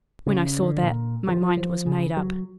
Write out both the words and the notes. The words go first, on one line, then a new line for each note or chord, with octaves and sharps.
When I saw that, my mind was made up.
C#3
D3
A#2
F3
F3
C#3
F#3